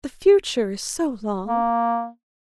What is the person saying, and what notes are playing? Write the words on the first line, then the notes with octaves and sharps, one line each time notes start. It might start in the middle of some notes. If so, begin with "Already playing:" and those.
The future is so long.
A#3